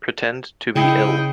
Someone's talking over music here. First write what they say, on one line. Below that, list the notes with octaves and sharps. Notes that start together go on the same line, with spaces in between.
Pretend to be ill.
C#3 E4 D#5 G5